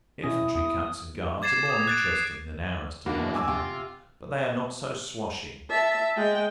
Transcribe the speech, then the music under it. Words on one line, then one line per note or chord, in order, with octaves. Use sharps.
Infantry cuts and guards are more interesting than ours, to my mind; but they are not so swashing.
B2 C#4 E4 D#6 A#6
E2 D#6
D6 G#6 A6 C7 E7
D6 D#6
F#6 A6 D7
C7
E2 B2 A#3 D4 F#4
G#5 D6 E6
C3 F4 G5
E5 A5
G#3 G5